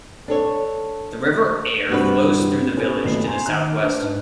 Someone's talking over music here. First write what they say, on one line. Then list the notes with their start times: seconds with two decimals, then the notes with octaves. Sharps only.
The River Aire flows through the village to the south-west.
0.28 D4 A4 C#5
1.89 G2 C3 F#4 B4
2.77 B3 C#4 E4 G4 A4 B4
3.04 F#1 B2 A3 B3 C7
3.24 G#5 A#5 C6
3.46 D#3 F#6
3.80 D4 B4 C5
4.01 G#2